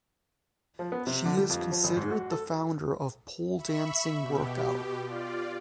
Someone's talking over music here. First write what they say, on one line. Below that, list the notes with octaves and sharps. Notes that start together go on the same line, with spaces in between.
She is considered the founder of Pole Dancing Workout.
F3
B3
C3
D3
G3
F2
F3
G#1
G#2
F#4
A4
E5 B5 C#6
B2 G4
F4 D5